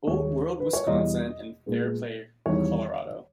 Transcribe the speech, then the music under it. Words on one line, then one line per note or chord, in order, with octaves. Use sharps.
Old World Wisconsin and Fairplay, Colorado.
D#2 D#3 G#3 C#5
B4
C#5
E2 B2 G3 D#5
A#2 G#3 B3
E2 D#3 G3 C#5